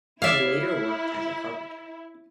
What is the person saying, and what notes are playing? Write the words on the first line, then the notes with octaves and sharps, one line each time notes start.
He later worked as a carpenter.
E4 C#5 D5 E5 F5